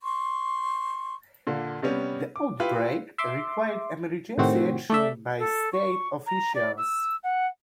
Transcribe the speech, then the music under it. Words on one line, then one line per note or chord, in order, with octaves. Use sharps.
The outbreak required emergency action by state officials.
C6 C#6
A#2 D3
C3 G3 B3 C#4
D6
E4 F4 G4 B4
E5 C6 D6
A2 C3 D#3 C4 F#4
A3 D5 E5
A4
C#6
A#5
D5
E6
F#5